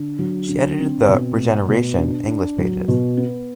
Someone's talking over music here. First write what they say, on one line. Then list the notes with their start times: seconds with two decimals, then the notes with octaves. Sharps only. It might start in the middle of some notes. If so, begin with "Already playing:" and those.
She edited the "Regeneration" English pages.
Already playing: D3
0.19 F#3
0.49 D3
0.79 C4
1.09 B2
1.38 A3
1.68 B2
1.98 D4
2.28 D4
2.58 F#3
2.88 B2
3.17 B3